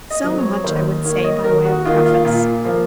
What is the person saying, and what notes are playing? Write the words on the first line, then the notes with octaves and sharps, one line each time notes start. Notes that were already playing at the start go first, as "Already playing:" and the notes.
So much I would say by way of preface.
D#5
F#3 C4
C#5
D#2 C5
D#3 A#3 C#5
D#5
D#2 A#4
F#4
D#3 A#3 F4
F4
A#2 F4
F3 A#3